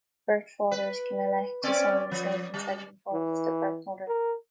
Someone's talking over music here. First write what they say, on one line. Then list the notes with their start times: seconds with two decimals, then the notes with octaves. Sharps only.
Birth fathers can elect to sign the same consenting forms as the birth mother.
0.71 B4
1.63 C4 C#4 D5
2.11 F3
2.54 G3
3.13 E3
4.08 A#4